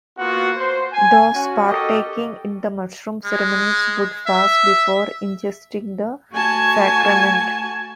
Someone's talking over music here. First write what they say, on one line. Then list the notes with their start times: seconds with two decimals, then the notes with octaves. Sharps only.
Those partaking in the mushroom ceremonies would fast before ingesting the sacrament.
0.19 A#3 B3 F4 F#4
0.57 C5
0.94 G#5
1.35 C#4 F#4
1.68 F#4 G4 A4 A#4 D#5
3.25 G#3
4.26 E5
6.32 A3 F#4 G#5 A5 G#6